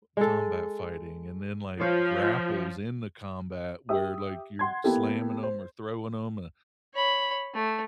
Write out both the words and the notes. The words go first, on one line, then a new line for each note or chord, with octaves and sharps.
combat fighting and then, like, grapples in the combat where, like, you're slamming 'em or throwing 'em, uh,
G#3 A4
F3 C5 C#5 F5
G4 E5 D#6
F#5 C6 G#6
A#3 B3 E4 G4 A4
C5
C#5 B5
A3